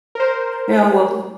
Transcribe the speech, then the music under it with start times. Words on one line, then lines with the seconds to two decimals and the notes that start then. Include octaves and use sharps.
Yeah, well,
0.15 A#4 C5